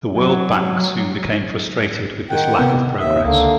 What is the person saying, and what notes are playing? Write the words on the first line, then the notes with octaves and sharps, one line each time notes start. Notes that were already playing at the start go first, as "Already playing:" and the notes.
The World Bank soon became frustrated with this lack of progress.
F#3
D#3 F#5 G5
C3 B3
D#2 E5 D#6
C#2 D3 A#3